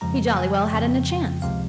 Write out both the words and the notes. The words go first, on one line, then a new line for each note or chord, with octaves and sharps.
He jolly well hadn't a chance.
F2 C#3 F3 G#3 A#5
G#5
G5
F2 C#3 F3 G#3
C#2 C3 F3 G#3 F5